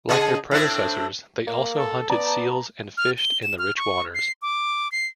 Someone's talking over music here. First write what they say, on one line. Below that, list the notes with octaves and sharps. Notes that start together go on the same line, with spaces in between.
Like their predecessors, they also hunted seals and fished in the rich waters.
C#3 G#4 D#5
A2 C4 D4
A#3
A4
B3 D5 A5 A#5
F6
G7
E7
F6
C#6
C7
D6
C7